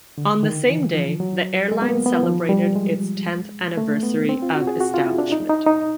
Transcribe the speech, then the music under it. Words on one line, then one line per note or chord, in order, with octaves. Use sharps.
On the same day, the airline celebrated its tenth anniversary of establishment.
D3
D#3
E3
F3
F#3
G#3
B3
A#3
B3
F3
G3
G#3
A3
B3
C4
F4
F#4
G#4
F#4
F4
E4
D4
D#4
D#4
D#4